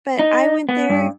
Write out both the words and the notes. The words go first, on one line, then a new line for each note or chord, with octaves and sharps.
But I went there,
D#4
B3
G2